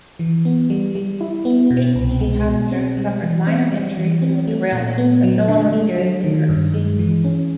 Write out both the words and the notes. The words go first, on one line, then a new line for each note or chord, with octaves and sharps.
Eighteen passengers suffered minor injuries in the derailment, but no one was seriously hurt.
E3
B3
G3
G3
E4
B3
B2
C2
G#3
B2
C4
G3
E3
C4
G3
E3
C4
A3
A#2
B3
F#3
D3
A3
F#3
D#3
G2
G#3
E3
C#4